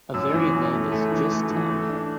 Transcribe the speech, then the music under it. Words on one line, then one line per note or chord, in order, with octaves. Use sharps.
A variant name is "Gist Town".
F#2 E6
E3
F#2
A3
A3
E3
A3
E3
A3
D4